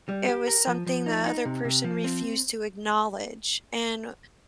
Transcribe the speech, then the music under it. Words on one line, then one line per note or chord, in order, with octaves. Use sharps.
it was something the other person refused to acknowledge, and
G3
G4
A#4
F3
F3
D#4
D#4
C3
C3
F3
C4